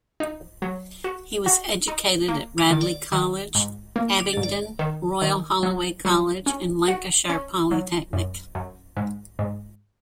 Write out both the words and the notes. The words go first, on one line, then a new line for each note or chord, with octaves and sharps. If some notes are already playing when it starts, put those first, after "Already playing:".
He was educated at Radley College, Abingdon, Royal Holloway College and Lancashire Polytechnic.
D#4
F#3
F#4
F#4
D#4
A#3
D#3
D#3
G#2
A#3
G#2
D#3
D#3
F#3
F#3
C#4
F#4
C#4
F#3
F#2
F#2
G#2
G#2